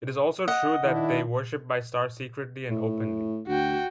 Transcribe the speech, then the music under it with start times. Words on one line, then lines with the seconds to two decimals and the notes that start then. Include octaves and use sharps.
It is also true that they worship my star secretly and openly.
0.48 D#5 F#5
0.84 D#3 D4 E4
2.70 A2
3.48 D2 F#4 G5